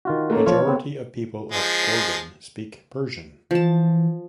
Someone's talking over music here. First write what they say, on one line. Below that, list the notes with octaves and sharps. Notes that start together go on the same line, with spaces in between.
Majority of people of Gorgan speak Persian.
D#3 F4 F#4
A3 A#3 C#4
F3 F4 C#5
B3 C4
F3 G#3
E3 F3 A5